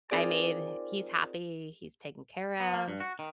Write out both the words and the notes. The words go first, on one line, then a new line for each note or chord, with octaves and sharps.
I made he's happy, he's taken care of
C4 D#4 F4 G#4 A#4 D5
B3
A#3
G2
F#4
D#3